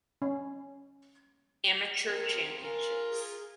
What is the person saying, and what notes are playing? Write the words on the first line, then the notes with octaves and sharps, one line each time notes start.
Amateur championships.
C#4
C4 A4 A#4
F4 A#4 G#5
G#4